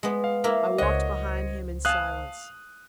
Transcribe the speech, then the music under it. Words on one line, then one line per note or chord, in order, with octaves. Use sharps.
I walked behind him in silence.
G#3 B3
F5
A#3 E4 A#4
C#2 F#4 C5 C#5 D#5
F5 G#5 A5 D#6 F#6